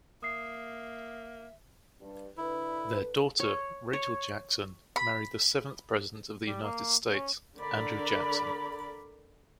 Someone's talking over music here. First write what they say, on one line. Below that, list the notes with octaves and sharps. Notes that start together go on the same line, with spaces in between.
Their daughter, Rachel Jackson, married the seventh President of the United States, Andrew Jackson.
A#3 E5 D#6 C7
G2
D3 E4 B4
C#5
C#5
B5
G3
A#3
C#4
D3 A#4 D5 B5